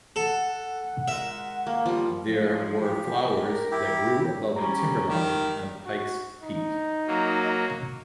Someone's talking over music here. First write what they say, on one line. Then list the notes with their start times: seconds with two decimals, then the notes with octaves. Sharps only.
There were flowers that grew above the timberline on Pikes Peak.
0.16 A4 F#5
1.08 G#3 A#4 E5
1.67 A#3
1.86 F3 G3
2.28 F3
2.81 G4
3.27 A#4
3.71 E4 G4
4.56 G3 C#4 A#5
5.08 D#3 G3 G4
5.85 F#4
6.43 D#4
7.07 F#3 A#3